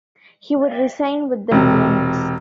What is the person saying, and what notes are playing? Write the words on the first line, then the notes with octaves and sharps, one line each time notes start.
He would re-sign with the Bruins.
E1 C3